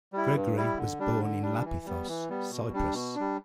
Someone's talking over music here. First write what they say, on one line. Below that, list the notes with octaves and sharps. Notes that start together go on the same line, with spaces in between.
Gregory was born in Lapithos, Cyprus.
G3 E4
G2
G3 E4
D3
G3 D4
D3
G3 D4
E3
G3 B3
E3
G3 B3
B2
G3 D4
B2
G3 D4